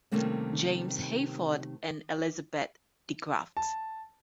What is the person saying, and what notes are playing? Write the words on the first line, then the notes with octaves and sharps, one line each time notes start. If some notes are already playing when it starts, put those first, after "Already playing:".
James Hayford and Elizabeth de Graft.
C3 D#3 G3 A3 A#3 C#4
A5